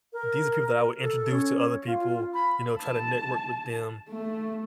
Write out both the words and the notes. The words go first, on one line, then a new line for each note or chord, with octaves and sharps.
these are people that I would introduce to other people, you know, try to network with them.
A#4
A4
C#4
F4
B5
A5
A3